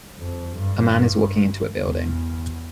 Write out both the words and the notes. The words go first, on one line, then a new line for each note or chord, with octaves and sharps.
A man is walking into a building.
F2
G2
G2
E2